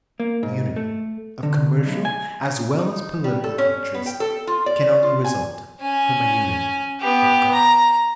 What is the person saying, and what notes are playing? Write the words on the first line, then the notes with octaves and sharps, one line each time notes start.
A unity of commercial, as well as political, interests, can only result from a unity of government.
A#3
G#2
A3
D3
B1
G#5
D#4
G3
A4
C#4
B3
G5
A4
F4
D5
F4
G#5
C#4 G#5
B3 G4
A#5